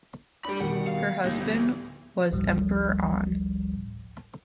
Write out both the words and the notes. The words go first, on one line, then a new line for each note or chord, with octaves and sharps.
Her husband was Emperor An.
G3 D4 G4 B5
B2 D#3 G3 F#5
F5
D1 G3 A#3 D#4 A#6
F3 B3
G#1 D2 A2 F3 G3